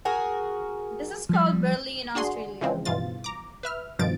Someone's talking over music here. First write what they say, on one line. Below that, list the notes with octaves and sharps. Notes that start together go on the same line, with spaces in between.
This is called Berley in Australia.
F#4 G#4 A#4
F3 G3
D4 F#4 G#4 C6
C#3 E3 F3 G#3 C4
G2 B2 E3 F4 A6
A#5 D6
B4 E5 F6
G2 B2 D#3 F3 A6 D7